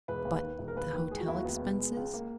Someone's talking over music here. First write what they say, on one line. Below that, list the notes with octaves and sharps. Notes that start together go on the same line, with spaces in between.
"But the hotel expenses?"
E1 B4
D#2
D#3
E1
A#4
D#2 B4
D#3
G#3 G#4
F#4
D#2 E4
F#4
C#2 B3
B2
G#3
C#2
A#3